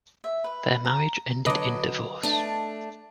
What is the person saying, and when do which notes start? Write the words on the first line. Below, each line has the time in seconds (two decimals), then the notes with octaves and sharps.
Their marriage ended in divorce.
0.24 E5
0.44 B4
0.85 A#5
1.46 D3 F#3 B4 D#5 D6
2.23 A3 D4